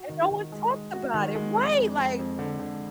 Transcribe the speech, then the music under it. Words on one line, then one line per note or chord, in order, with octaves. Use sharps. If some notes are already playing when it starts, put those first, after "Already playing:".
and no one talked about it Right, like,
Already playing: F#4
D#3
D#3
G#3
G#3
F#4
D#3
G#3
F2
F2
F2
F2
D3
D3